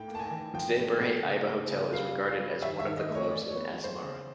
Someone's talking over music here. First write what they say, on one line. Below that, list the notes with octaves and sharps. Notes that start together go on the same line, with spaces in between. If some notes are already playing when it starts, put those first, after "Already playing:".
Today Berhe Aiba hotel is regarded as one of the clubs in Asmara.
Already playing: A2 G5
A#3
A5
G#5
E3
F3 G5
A2
A2
C#3
A#3
C#3
G3 F5
G3
F5
G3
D#3 E5
E5
D#3
D#5
A3
C#5
E3 D5
C#5
B3
G#3
C5
C#3